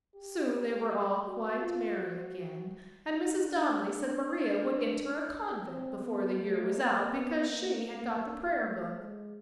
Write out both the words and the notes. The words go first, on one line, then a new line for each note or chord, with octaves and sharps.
Soon they were all quite merry again and Mrs. Donnelly said Maria would enter a convent before the year was out because she had got the prayer-book.
G4
G4
F#4
F4
F#4
D#4
D4
D4
C4
B3
A3
A#3
B3
A#3
A3
G#3